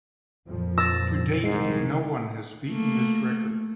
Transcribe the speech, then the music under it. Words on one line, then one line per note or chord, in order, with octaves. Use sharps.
To date, no one has beaten this record.
F2 A#2 F3
E6 A6 A#6
C2 G#2 D#3 G#3 C7
A3 A#3